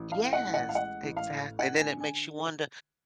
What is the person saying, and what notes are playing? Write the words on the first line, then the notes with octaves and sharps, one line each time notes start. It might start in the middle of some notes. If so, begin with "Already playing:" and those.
Yes. Exactly. Then it makes you wonder,
Already playing: A1
F5
A2
F#5
A1
F#5
F5
G#3 F#5
A1
F5
A2
C#4 F#5
G#5
D3
G#5